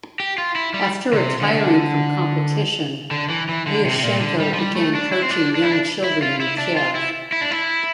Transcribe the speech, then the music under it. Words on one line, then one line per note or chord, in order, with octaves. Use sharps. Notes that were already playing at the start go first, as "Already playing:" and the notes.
After retiring from competition, Liashenko began coaching young children in Kiev.
G4
F4
E4
G3
D3
C3
D3
D3
E3
E3
D3
C3
C3
A#2
D3
G3
F3
G3
A3
D4
E4
C4
D4
D4
E4
D4
E4
F4
E4
D4
F4
E4
E4
D4
E4